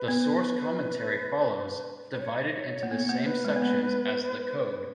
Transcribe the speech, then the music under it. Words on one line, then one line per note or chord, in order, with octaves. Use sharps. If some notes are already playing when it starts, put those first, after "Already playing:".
The source commentary follows, divided into the same sections as the code.
Already playing: B4
B3
B4
C#5
A#3
B3 C#5
A#3
B4
G#3
B3
A#3